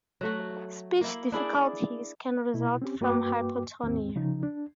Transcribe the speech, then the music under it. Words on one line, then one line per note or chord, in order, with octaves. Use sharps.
Speech difficulties can result from hypotonia.
F#3 A3 F#4
A#3 E4
D4 E4 G#4 D5
B2 E4
C4 C#4 G4
G2 A#3 F#4 B4 G5 D6
D#2 G#2 C4
C#3 F3 D#4
D4